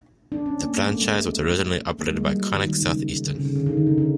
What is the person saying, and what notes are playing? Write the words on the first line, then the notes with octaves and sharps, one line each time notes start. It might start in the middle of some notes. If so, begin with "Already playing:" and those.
The franchise was originally operated by Connex South Eastern.
D4
C#4
A#3
A#3
A3
G#3
A3
A#3
G#3
G3
F#3
D#3
D#3
C#3
D3
C#3
C#3
D3
D#3
D3
C#3
D3